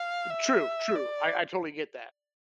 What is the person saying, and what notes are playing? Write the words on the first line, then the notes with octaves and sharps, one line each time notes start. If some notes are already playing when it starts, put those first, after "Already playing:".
True. True. I I totally get that.
Already playing: F5
E5
D5